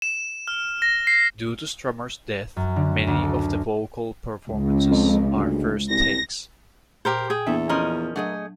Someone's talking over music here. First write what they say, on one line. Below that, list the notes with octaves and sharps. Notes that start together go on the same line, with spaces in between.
Due to Strummer's death, many of the vocal performances are first takes.
E7
F6
A#6
C7
F#2
D3
D2
A4
C#2
F2
D2
C2 A#6
A#2 G4 A#4 C5
G#4 G5
E2 A#3 B3 D4 A4 E5
F3 C#4 A#4 D#5
F#3 A3 D4 G#4 D#5 F#5